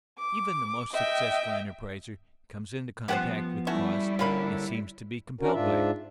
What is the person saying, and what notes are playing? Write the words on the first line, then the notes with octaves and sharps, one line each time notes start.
Even the most successful enterpriser comes into contact with cost, and seems to be compelled by it.
D6
D#5 E5 G5
F3 B3 C#4 G4 C5 F#5
G3 A3 C#4 E4 F#4
D3 A#3 C#4 F4 B5
C#4 D4 F#4 A#4
G#2 D4 F4 E5